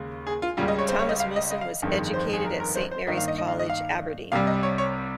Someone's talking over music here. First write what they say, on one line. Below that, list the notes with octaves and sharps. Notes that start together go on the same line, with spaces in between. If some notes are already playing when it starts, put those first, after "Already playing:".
Thomas Wilson was educated at Saint Mary's College, Aberdeen.
Already playing: D#2 C#3 G#3
G#4
F4
C#2 C#3 G3 F4
D#5
C#5
C5
C#5
D#5
F5
D#5
D#5
F5
G1 F2 D#3 G#3
C5
G#4
A#4
A#4
C5
C5
G2 D#3 A#3 D#5
F5
D#5
D#5
F5
D#5
F5
C2 C3 G3 F5
D#5
C#5
C#5